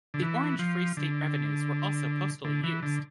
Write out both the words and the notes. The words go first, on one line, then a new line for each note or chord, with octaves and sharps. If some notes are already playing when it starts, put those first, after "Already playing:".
The Orange Free State revenues were also postally used.
D3
E3
F3
D3
D3
E3
D3